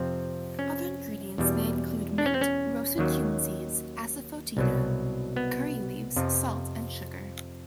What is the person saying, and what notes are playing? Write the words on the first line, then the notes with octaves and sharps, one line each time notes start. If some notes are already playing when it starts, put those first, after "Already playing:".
Other ingredients may include mint, roasted cumin seeds, asafoetida, curry leaves, salt and sugar.
Already playing: F2 C3 F3 C4
C#4
E2 B2 G3
D4
C#4
C4
C#4
D#2 D#3 F#3
C2 B2 F#3
B3
F2 C3 F3